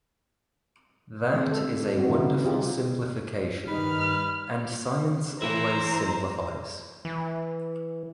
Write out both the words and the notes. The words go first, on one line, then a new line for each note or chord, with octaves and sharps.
That is a wonderful simplification, and science always simplifies.
G#3 C4
D3 A4
G3 B3 C4 F#4
D#3 E3 B3 D#4 E4
G3 C4 D#4 F4 G4 G#4
G2 D#3 G3 D#4 B4 F6
E3 E4 C5 A#5
E3